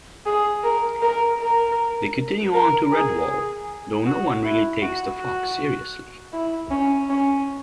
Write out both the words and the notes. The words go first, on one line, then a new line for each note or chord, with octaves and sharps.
They continue on to Redwall, though no one really takes the fox seriously.
G#4
A#4
A#4
A#4
A#4
G#4
F#4
E4
F#4
F#4
E4
C#4
C#4